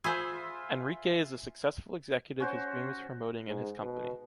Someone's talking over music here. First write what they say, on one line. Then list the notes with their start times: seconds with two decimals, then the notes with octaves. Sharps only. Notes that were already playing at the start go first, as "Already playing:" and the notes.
Enrique is a successful executive whose dream is promoting in his company.
0.04 F4 G#4 C5 E5 G#5 B5 E6
2.40 C#4 F#4 C5
3.48 G#2
3.83 B2